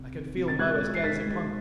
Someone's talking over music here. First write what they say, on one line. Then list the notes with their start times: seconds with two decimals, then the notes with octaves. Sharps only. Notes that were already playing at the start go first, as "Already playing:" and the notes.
I could feel Moa's gaze upon me.
Already playing: C3
0.15 D#3
0.37 C3
0.48 A6
0.59 G#3 F#6 G#6
0.81 G#3
0.94 C7
1.04 D#3 A6 B6
1.26 G#3